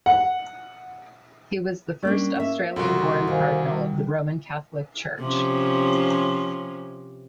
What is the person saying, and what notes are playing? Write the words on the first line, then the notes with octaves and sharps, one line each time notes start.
He was the first Australian-born cardinal of the Roman Catholic Church.
F#5
G3 A#3 C#4 D4
A#3 E5
C2 C#3 F#4 A4 C6
D#3 C5 F5 G#5
G3
C3 F3 C#4